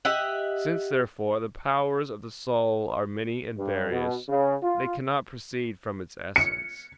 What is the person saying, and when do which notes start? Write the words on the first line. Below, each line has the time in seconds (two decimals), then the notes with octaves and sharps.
Since, therefore, the powers of the soul are many and various, they cannot proceed from its essence.
0.05 G4 D#5 E5 F#5
3.57 G2
3.90 B2
4.29 C#3
4.62 F4
6.36 C#7